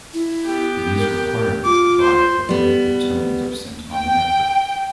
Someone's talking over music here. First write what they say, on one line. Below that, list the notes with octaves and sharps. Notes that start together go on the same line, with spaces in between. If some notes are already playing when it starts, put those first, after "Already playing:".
These requirements apply at the point the tones are sent on the network.
E4
B3 G4
A#4
F4 D6
C5
G3 B3
G5